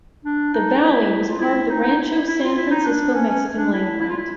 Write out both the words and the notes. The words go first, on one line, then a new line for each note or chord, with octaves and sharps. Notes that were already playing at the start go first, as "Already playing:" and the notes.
The valley was part of the Rancho San Francisco Mexican land grant.
D4
D#4
E4
F4
E4
D#4
D#4
E4
E4
F4
E4
D#4
D4
C#4
C#4
D4
E4
E4
F4
E4